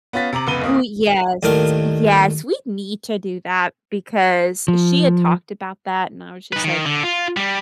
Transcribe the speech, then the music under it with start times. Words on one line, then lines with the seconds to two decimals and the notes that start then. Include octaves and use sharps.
We yes, yes we need to do that because she had talked about that and I was just, like,
0.13 B3 C#4 F4 A6 B6
0.33 C3 A#5 D6 F#7
0.47 F1 C#2 B3 B4 D#7 G7
0.61 D1 A#3 D#6
1.43 D#2 A2 D#3 D4 A#4 D6
4.68 F3
6.53 D#4 B4
6.64 D#3
6.86 D3
7.03 F4
7.37 G3